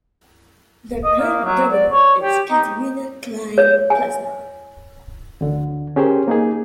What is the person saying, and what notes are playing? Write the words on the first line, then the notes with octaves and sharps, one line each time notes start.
The current governor is Caterina Klein Plesnar.
D#5
A#3
F#3
D5
C#5
G4
D#4
C#5
G#5
D2 D3
C#4 G4 G#4 A#4 C5
A#3 D#4 G#4